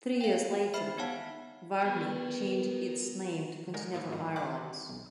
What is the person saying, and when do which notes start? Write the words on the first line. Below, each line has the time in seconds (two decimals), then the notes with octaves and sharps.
Three years later Varney changed its names to Continental Airlines.
0.21 F5 G5
0.74 C5 E5 B5 F6 C7
0.98 B3 D#4 C#5 F5 F#5 A5
1.85 B3 A#4 B4 G5
3.74 D3 G#3 A#4
3.93 A2 A#3 D#4 E4
4.12 G#2 D#3 G3
4.36 D5 F#5 D6 F#6
4.89 B1